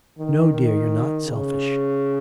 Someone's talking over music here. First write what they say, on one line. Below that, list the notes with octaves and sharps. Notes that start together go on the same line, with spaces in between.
'No, dear, you're not selfish....
D#3
D#3
C#3